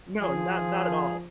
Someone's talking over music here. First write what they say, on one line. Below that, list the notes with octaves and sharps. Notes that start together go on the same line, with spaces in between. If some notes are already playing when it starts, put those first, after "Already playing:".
No. Not not at all.
F3 G#4